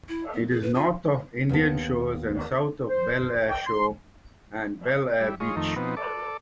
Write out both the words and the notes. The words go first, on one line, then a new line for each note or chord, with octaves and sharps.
It is north of Indian Shores and south of Belleair Shore and Belleair Beach.
E4
B3
G#4
B4
F4
D#2 B3 A4
C5
G5
C6
G3 E4
G#3 F4 C#5 D#5
F2 D#3 A3 D#4
B2 F3 B3 C4 D#4
A4 D5